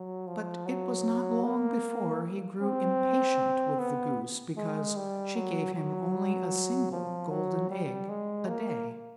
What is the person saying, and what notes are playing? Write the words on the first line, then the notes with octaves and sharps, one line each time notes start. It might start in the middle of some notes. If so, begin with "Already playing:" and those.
But it was not long before he grew impatient with the Goose because she gave him only a single golden egg a day.
Already playing: F#3
F3
F#3
A#3
C4
B3
G#3
G3
F#3
F#3
F3
F#3
G3
G#3
A#3